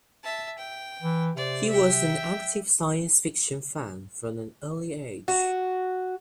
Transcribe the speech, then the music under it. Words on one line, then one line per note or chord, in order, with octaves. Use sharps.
He was an active science fiction fan from an early age.
E5 A5
G5
E3
C3 C5 D5
E5 G5
F#4